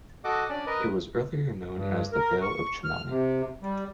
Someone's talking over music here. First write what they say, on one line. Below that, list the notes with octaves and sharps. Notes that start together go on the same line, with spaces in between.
It was earlier known as the Vale of Chamouni.
F#4 A4 D#5 F#5 D6
C#4 D4 D5
A#4 B4 D#5
G2
A#4
C#6
F6
C3
G3